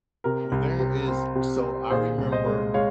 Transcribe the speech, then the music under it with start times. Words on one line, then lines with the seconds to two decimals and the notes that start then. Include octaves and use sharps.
Well, there is so I remember
0.24 C3 A#4
0.52 C2
0.80 C3
1.08 C4
1.35 C3
1.63 C4
1.90 A#2 G#4 C5
2.18 C2
2.32 C5 D#5
2.46 G#3
2.74 G#3 C#5 F5